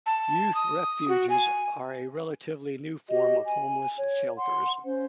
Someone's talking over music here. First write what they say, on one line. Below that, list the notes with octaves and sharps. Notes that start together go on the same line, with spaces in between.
Youth refuges are a relatively new form of homeless shelters.
A5
D#6
F#4
G#5
F#4 G4 D#5
G#5
C#5
F#5 C6
C#4 C5